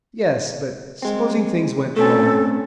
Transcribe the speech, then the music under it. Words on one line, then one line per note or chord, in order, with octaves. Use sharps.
"Yes; but supposing things went wrong?"
G#3 C4
A3 C4 C#4 A4